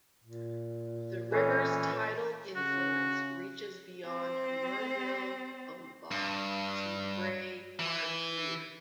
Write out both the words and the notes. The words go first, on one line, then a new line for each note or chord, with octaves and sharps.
The river's tidal influence reaches beyond Murwillumbah to Bray Park Weir.
A#2
E3 C#4 A4 C#5
C#3 C#4 F#4
C4 C5
G2
E3